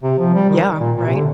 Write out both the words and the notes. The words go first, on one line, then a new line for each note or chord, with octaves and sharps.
Yeah, right?
C3
F3
G3
D#3
A#2
A#2
C3
D3